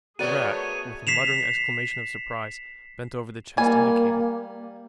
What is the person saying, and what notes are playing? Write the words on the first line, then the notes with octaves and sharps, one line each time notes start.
The Rat, with a muttered exclamation of surprize, bent over the chest indicated.
A3 B3 F#4 G#4 A#4 C#5 D5 D#7
B6 C7 E7 F7
G3 A#3 G#5